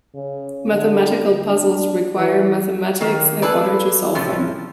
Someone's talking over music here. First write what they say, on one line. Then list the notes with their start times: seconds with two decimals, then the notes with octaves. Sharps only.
Mathematical puzzles require mathematics in order to solve them.
0.15 C#3
0.72 D3
1.47 D4
2.17 E3
3.01 D#3 A#3
3.42 G#4 A4 B4 D5
4.15 A2 C3 F3 C#4